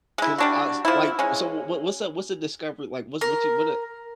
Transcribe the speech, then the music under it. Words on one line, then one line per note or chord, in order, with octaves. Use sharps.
'cause I was like So, w w what's the what's the discovery like, what's what you what, uh
G#3 E4
G3 D4 F#4
F3 E4
G#3 C#4
A#4